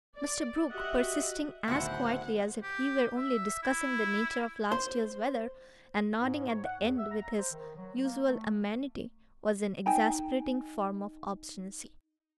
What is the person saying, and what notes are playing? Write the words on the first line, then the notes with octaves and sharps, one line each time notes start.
Mr. Brooke, persisting as quietly as if he were only discussing the nature of last year's weather, and nodding at the end with his usual amenity, was an exasperating form of obstinacy.
D5
F#4 G4 D#5 E5 F#5
D1 B2 D#3 F#3 E4 C5 F#5 C#7
G4
E5
E4
C5
G#2
C#5
F#5
E2
E5
A#5
C5
D#3
F#3
A#3
A3
D#4 G5 G#5 A#5